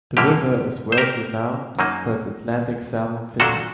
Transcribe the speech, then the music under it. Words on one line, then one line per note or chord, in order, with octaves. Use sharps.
The river is world-renowned for its Atlantic salmon fishing.
F#2 D3 G3 A#3 G4
C5
G4 A#4
F#2 F#3 A#3 D#4
A#2 F#3 A3 D4 F#4 A4